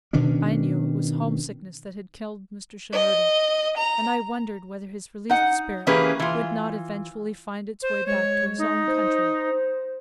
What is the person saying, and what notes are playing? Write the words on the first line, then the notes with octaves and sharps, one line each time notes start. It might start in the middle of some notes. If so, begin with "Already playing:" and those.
I knew it was homesickness that had killed Mr. Shimerda, and I wondered whether his released spirit would not eventually find its way back to his own country.
B2 D#3 C#4 D4
D#5
A#5
D#4 F#5
E3 A#3 C#4 G4 G#4 B4
E3 F4
C5
G#3 C#5
D#4
C5